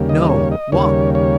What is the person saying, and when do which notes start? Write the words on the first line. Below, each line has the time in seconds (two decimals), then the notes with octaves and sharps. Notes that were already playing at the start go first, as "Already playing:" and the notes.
No. Walk.
Already playing: D#2 C#3 G3 A#3
0.09 D#5
0.30 C#5
0.52 D#5
0.72 D#2 C#3 G3 A#3 C#5
1.15 C#5